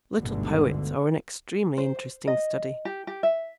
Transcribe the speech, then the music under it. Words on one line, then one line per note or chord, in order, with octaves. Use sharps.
Little poets are an extremely interesting study.
G1 D2 G#2 B2 D3
C5
D#5
G4
G4
E5